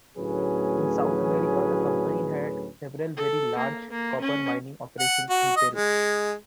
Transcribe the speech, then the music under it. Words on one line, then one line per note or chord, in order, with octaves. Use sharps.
In South America, the company had several very large copper mining operations in Peru.
D2 A2 F#3 C#4 G#4 B4
A4
A#3
A#3
C#4
F#5
F#4
D#5
G#3